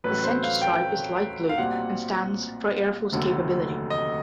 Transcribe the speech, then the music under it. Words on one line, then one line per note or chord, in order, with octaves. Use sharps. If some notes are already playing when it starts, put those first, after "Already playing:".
The center stripe is light blue and stands for Air Force capability.
A1 A2 F#3 A3 C#4 B4
C5
F5
G5
F5
B1 A#2 G3 C4 F#5
F1 D#2 D3 F#3 A3
D#5